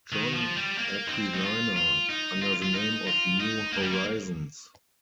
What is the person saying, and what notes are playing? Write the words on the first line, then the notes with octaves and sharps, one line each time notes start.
John Aquilina, under the name of New Horizons.
D#3
F3
G3
A#3
D#4
C4
D#4
F4
F4
D#4
F4
F4
D#4
F4
D#4
A#3
G3
A#3